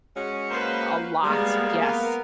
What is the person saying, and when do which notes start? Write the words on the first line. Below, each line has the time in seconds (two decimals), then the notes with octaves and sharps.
a lot, yes,
0.16 G#3 C#4 F#4
0.50 A#3 B4 C5
1.23 G3 G#3 A#3 B3 F5
1.81 B3 A#4